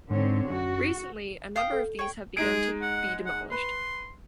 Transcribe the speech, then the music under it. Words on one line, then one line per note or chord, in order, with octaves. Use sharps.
Recently, a number of these have begun to be demolished.
G#2 D3 C4 C#5
F#2 F#4
F5 G5 D#6
A4
C#5 G5
G#3 D#4 G#4 D7
F#5
F#5
B4 C6